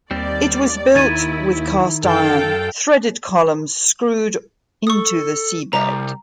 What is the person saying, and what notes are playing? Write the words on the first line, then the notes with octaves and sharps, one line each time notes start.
It was built with cast iron threaded columns screwed into the seabed.
D#2 G3 C4 D5
D#3 E4 G#6 A6 D#7
F#2 A4 F5 G5
A4 C#6 D#6
C2 G3 A#5